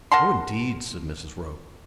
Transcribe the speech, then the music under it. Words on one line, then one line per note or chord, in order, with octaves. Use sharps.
"Oh, indeed!" said Mrs. Roper.
A#4 F#5 A5 C6